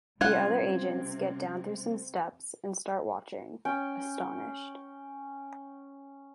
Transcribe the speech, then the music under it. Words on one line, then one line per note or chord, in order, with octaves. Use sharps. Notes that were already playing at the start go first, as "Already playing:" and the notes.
The other agents get down through some steps and start watching, astonished.
C3 G3 C4 C#4 F4 C5 F#5 G#6
C#4 G5